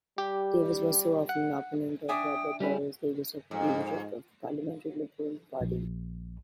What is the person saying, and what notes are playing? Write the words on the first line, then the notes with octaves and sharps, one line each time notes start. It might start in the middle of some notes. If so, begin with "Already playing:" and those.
Davis was often an opponent of Robert Doyle's leadership of the parliamentary Liberal Party.
G3 G4
F#5
D4 E5 G5 G#5 D#6
G3 C#4 E4 B4
F2 G#2
A#1